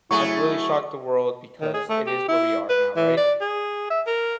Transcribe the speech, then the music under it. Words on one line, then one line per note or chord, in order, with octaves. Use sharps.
has really shocked the world because it is where we are now. Right?
F#3 A3 E4 G#4 C#6
D#3
G#4
A3
G4
E4
B4
E3
D5
G#4
E5
A#4